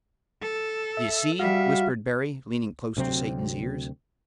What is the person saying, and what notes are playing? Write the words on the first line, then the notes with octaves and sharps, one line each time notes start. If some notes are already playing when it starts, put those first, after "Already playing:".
"D'ye see?" whispered Barry, leaning close to Satan's ears.
A4
E5
G3 F#4 E5 F5
D2 C3 F#3 C4